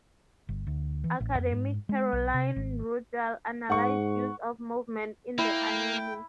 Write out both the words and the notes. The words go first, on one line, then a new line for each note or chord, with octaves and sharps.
Academic Caroline Ruddell analysed use of movement in the anime.
G1
D2
E3
A1
F2
G#2
G#3
B1
C3
G#1
G#2 F#5 C#6
A#3 E4 G5